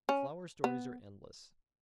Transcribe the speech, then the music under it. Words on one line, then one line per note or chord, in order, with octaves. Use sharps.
Flower stories are endless.
C#4
B3